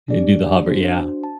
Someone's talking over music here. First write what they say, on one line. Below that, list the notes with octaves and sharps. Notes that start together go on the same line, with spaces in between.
And do the hover, yeah.
D4 G4 D5
D4 F#4 C5
A5